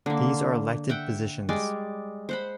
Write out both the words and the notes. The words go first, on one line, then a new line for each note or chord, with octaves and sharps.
These are elected positions.
D3 A#3
E5 F#5 G5
G3 G#3 D5
C5 F#5 B5